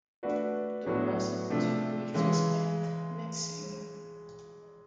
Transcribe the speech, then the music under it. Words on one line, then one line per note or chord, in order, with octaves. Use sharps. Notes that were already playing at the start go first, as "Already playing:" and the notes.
The rest of the two weeks was spent mixing.
A3 D4 F#4 B4 D5
A2 F#3 B3 D4 F#4
C3 F3 A3 D4
C#3 E3 G#3